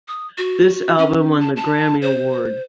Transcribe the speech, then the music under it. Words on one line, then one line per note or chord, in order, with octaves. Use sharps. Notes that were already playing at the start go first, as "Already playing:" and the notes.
This album won the Grammy Award.
D#6
F#4
C#4
A5
A5
C5